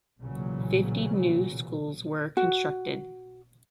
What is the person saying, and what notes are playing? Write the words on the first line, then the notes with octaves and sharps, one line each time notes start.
Fifty new schools were constructed.
B1 A#2 C#3 E3 F#3
F#4